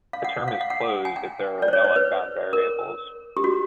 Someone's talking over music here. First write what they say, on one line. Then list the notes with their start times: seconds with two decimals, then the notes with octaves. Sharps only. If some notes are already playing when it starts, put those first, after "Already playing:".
A term is "closed" if there are no unbound variables.
0.13 F5
0.24 F#5
0.48 F5
0.61 F5
0.70 F#5
1.05 G#5
1.16 G5
1.62 D5
1.68 C5
1.73 C#5
1.85 C5
1.96 B4
2.53 A#4
3.37 G4
3.44 F#4